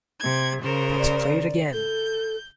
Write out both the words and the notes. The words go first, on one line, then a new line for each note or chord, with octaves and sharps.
Let's play it again!
C3 G#6
C#3 A#4 C5
D5
A4 G6